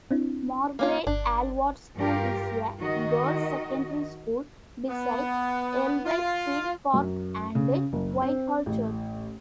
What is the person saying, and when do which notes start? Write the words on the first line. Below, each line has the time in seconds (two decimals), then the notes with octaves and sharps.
Margret Aylward School is a girls secondary school beside ellenfield park and Whitehall church.
0.11 C4 D4 E4
0.79 A#3 C#4 F4
1.07 G1 D4
1.97 G2 F4 G4 A#4
2.79 D#3 F#4 D#5
4.88 B3
6.05 F4
6.94 F#2
7.55 C#3
7.93 F#1
8.22 C4
8.66 A1